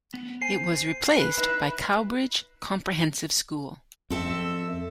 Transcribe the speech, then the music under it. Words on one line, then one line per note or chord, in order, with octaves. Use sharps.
It was replaced by Cowbridge Comprehensive School.
B3
C5 G#5 C7
B4
D#4 E4 B4
F2 C4 A4 E5